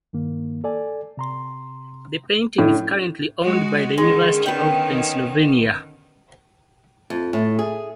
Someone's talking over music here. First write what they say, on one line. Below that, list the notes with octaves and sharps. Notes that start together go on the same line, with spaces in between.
The painting is currently owned by the University of Pennsylvania.
G2 D#3 A#3
A4 D5 G#5
C3 A#5 C6
A2 F3 C#4 D4
G#3 F#4
D3 D#3 G#3 C#4
B3 G5
F2
A2
G#4